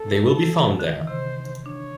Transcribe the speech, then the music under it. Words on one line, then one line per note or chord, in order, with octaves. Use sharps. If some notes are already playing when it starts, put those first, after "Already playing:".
They will be found there.
Already playing: A4
A3
E3
D3
D#3
C3 C5
D4 C#5